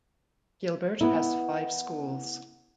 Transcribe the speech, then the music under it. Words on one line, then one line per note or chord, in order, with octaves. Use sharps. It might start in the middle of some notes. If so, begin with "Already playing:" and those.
Gilbert has five schools.
B3 E4